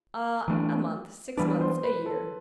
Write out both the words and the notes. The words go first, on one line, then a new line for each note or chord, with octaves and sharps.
"Ah, a month--six months--a year."
E3 A3 D4
E3 G3 B3 D4 B4
C5
B4
A4